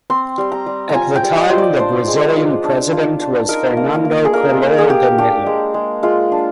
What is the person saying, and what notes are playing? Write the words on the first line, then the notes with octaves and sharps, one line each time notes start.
At the time the Brazilian president was Fernando Collor de Mello.
C4 C6
G3
A#5
G3
A#5
F4 G#5
G5
G3
D#5
F4 C5
D5
D4 C5
G#3
F4
D4
F4
D4
D#4 A#4
A#3
A#3
G#4
A#3 A#4
A#3
G#4
A#3 G4
D4 G4
G#3
G#3
G#3 F4
D4